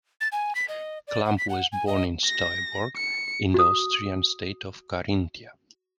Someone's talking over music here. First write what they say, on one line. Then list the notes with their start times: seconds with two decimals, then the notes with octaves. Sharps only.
Kampl was born in Steuerberg, in the Austrian state of Carinthia.
0.21 A6
0.32 G#5
0.55 B6
0.69 D#5
1.08 D5
1.25 F#5
1.38 B6
1.49 F#5
1.72 G#5
1.87 D#5
2.26 A#6
2.97 C#7
3.54 F#4 D#6